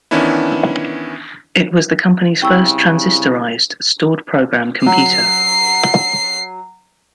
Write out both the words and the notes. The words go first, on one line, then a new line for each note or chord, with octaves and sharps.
It was the company's first transistorized stored-program computer.
D#3 E3 B3 C#4 D4 E4
C2 C#3 G5 C#6 E6
F#3 C7